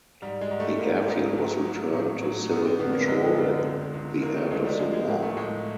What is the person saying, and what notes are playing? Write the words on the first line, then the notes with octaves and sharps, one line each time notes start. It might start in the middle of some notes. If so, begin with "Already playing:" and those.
The airfield was returned to civil control at the end of the war.
G#2 G3
G#3
G#2
A3
G#2 A#3
G#2
F#3
F#3
A2
F#3
F#2 B3
C4
D3 B3
A#3
F#2 G#3
D3
C#2
C#2
C#2 A#3
A3
C#2 G#3
G3
F3 G#3
G#3
A2 A#3
A3
A2 G#3